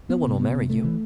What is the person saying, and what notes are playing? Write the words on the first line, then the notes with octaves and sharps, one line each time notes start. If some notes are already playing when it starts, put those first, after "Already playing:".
No one will marry you.
B3
C3
B3
C3
A3
E3